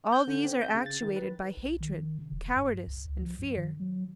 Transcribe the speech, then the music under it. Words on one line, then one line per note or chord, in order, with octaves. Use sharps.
All these are actuated by hatred, cowardice and fear.
G6
D3
C4
G6
C#3
A6
D#3
B4
A#1
D#3
C#3
D#1
G2
C2
C#2
F3
G2
D#3
F#3